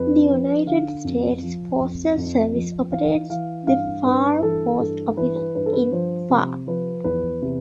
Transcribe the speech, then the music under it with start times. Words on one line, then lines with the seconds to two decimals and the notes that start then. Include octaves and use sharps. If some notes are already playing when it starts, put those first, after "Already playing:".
The United States Postal Service operates the Pharr Post Office in Pharr.
Already playing: F2 B4
0.29 F3
0.66 D3 F5
1.04 F2
1.42 F3
1.79 F2
2.17 F2
2.54 F3
2.92 E3 F5
3.30 E3 F5
3.67 G2 F5
4.05 G2 B4
4.42 E3 A4
4.80 G2 A4
5.17 E3 B4
5.36 B4
5.55 G2 B4
5.66 A4
5.73 B4
5.92 F3 C5
6.30 C3
6.67 F3 B4
7.04 E2 B4
7.42 C3